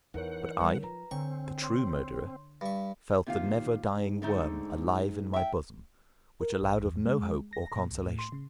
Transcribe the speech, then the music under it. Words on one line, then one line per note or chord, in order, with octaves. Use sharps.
But I, the true murderer, felt the never-dying worm alive in my bosom, which allowed of no hope or consolation.
E2 E3 D#4 A#4 C#5 F#5
G3
F3 B4 A#5
D3 C4 C#5 G5 G#5 C#6
C#5 C6
G2 B5 C#6
D#2 C3 F4 F5
G#2
D3 A3 D#4
E5 G5
A#4
A1
E2
G#3
A#6
A#2
C#2
A2
C6
C#3